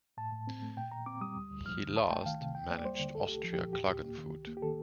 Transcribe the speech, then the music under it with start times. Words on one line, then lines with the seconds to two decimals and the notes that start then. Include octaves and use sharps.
He last managed Austria Klagenfurt.
0.17 A2 A5
0.32 A2
0.47 C4
0.62 A3
0.77 A#2 G5
0.92 A#2 A#5
1.06 C4 D6
1.21 G3 D#6
1.36 D2
1.51 D2
1.66 F3 F6
1.82 D3
1.95 C2 A5
2.10 A3 G5
2.26 D#3 F5
2.41 C3
2.55 D#2 G5
2.70 A#3 D5
2.85 G3 C5
2.99 D3
3.14 C2 A4
3.29 A3 G4
3.44 F3
3.53 G4
3.58 A#2
3.73 D#2 G4
3.88 D#2
4.03 A#3
4.18 D#3
4.32 C2
4.47 A#3
4.57 G4
4.62 D#3 A4